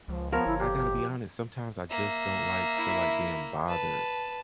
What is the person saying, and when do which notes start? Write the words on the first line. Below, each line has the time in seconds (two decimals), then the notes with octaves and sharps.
I gotta be honest, sometimes I just don't, like, feel like being bothered
0.08 C#2 F3
0.32 F3 B3 A#4 C#5
0.46 G1 E4
0.59 G4
1.90 A#3 E5
2.77 E4
3.68 B4 A5